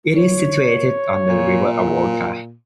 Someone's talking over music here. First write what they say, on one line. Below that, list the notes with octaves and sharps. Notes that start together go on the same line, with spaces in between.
It is situated on the River Avoca.
C#5
A#2